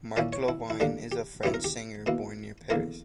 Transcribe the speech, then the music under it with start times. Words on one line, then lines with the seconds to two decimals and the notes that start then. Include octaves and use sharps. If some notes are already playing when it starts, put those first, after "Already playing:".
Marc Lavoine is a French singer born near Paris.
0.17 A#2 A#3 C#4 E4 D5
0.33 C#5
0.48 E4
0.70 E4
0.80 D3 G3 A#3 D4
1.12 G4
1.43 G2 F#3 B3 E4 G4
1.54 A#4
1.64 G4
2.06 B2 A#3 E4
2.70 E2 D3 A#3 E4 A#4